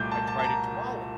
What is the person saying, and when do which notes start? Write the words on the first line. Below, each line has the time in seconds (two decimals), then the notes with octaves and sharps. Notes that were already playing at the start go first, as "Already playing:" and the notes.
I tried a tamale,
Already playing: C2 A#2 A3 D6 G6
0.11 A5
0.28 A5
0.39 A5
0.44 A#5